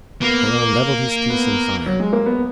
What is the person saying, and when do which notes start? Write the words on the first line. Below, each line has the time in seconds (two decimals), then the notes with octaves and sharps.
Crayon leveled his piece and fired.
0.22 A#3 B3
1.30 B3
1.86 F#3
2.00 G#3
2.13 A#3
2.26 B3